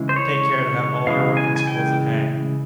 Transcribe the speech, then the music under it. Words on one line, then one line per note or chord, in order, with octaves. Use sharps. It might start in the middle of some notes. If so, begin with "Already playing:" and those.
Take care to have all our weapons close at hand.
Already playing: C#3 E3 G#3 E4
C5
C#5
C#3 E3 G#3 E4 F5
G#5
G#5
G5